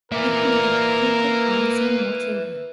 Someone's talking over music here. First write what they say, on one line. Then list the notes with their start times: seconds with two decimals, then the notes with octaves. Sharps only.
It meant we could answer more children.
0.12 A#3 A#4 B4 D5 E5